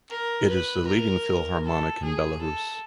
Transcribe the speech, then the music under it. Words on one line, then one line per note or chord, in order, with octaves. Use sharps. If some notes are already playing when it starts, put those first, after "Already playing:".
It is the leading Philharmonic in Belarus.
A#4
B4
A#4
A4
G#4
A4